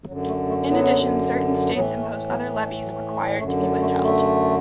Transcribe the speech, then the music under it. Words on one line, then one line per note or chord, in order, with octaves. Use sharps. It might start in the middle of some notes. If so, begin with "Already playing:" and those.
In addition, certain states impose other levies required to be withheld.
F#2 D3 F#3
A3
A3
F#3 B3
A2 E3 F#3 B3
A3
F#3 B3
A3
F#3
A3
F#2 D3 A3
F#3
A3
A3